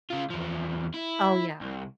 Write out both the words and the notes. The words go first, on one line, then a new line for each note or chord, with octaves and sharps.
Oh, yeah.
C#3 F4
E2 F3
E4
C2